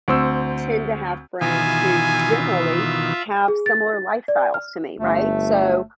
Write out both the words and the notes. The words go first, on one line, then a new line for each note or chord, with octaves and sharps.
tend to have friends who generally have similar lifestyles to me, right? So,
D2 C4 E6
B2 D#3 E3 F4 E5 G#5
G#4
A6
D5
F6
G1 A3